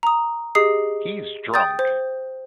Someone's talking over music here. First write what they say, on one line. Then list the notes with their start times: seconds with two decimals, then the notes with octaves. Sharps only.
He’s drunk.
0.03 A#5 D#6
0.55 G4 G#4 D#5 D#6 C7
1.54 G5 D#6 G6 A6
1.79 C5